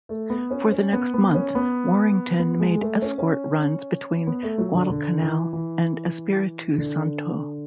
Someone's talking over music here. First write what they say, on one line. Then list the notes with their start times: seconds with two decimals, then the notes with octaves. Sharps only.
For the next month, "Warrington" made escort runs between Guadalcanal and Espiritu Santo.
0.09 A3
0.30 B3
0.51 C#4
0.72 C#4
0.93 B3
1.14 B3
1.35 C#4
1.55 B3
2.39 B3
2.60 G#3
2.75 G#3
2.81 A3
3.02 C#4
3.18 C#4
4.27 B3
4.43 A3
4.58 F#3
4.74 D3
4.90 D3
5.22 E3
5.53 E3
6.78 D3